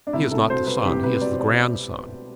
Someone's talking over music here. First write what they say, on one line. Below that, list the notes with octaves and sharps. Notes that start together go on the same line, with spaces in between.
He is not the son; he is the grandson.
D4
C2 E4
C2 A4
B2 C5
B2 B4
C2 G4
C2 B4
B2 D5
C5
B2 D5